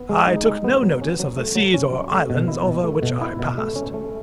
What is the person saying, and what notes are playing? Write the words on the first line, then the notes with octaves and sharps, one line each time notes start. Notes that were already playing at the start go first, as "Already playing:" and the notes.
I took no notice of the seas or islands over which I passed.
Already playing: B3
G#3
D#4
G#3
B3
F#3
C#4
F#3
A3
F#3
C#4
F#3
A3
B2
E4
B2
A3
B2
E4
B2
A3
C#4
A3